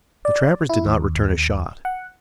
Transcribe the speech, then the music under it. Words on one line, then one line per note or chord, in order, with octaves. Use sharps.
The trappers did not return a shot.
D5
E4
D#2
F#5